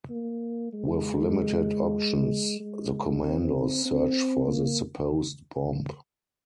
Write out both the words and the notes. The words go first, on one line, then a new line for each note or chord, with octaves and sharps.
With limited options, the commandos search for the supposed bomb.
A#3
G#3
G#3
C4
C4
A#3